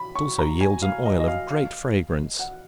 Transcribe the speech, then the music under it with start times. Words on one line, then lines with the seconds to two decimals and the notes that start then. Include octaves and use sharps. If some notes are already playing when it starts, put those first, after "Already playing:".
It also yields an oil of great fragrance.
Already playing: B5
0.15 C#6
0.39 A#5
0.61 G#5
0.82 F5
1.05 D#5
1.20 D#5
1.28 F5
1.50 F5
2.39 F#5